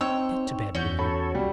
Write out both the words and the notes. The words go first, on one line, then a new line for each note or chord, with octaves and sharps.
Get to bed, will you?
C4 D#4 C#5 G5 E6
E2 C#4 F#4 G6
A4 C#5 B5
C2 G3